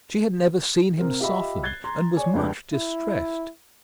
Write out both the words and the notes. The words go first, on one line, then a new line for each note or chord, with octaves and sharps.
She had never seen him softened, and was much distressed.
C3 A#4 C5
F4 G4 D#5 E5 B5
F#6 G#6 A6 C7 G7
A#5 C6
C#5 D5 G#5
F1 C#2 G2
E4